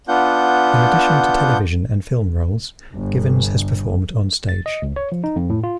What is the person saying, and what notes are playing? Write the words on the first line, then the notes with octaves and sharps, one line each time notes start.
In addition to television and film roles, Givens has performed onstage.
B3 D4 F4 F#5 G6
G1
A6
D#5
C#2
C#5
F3
D#4
F2
A2
F4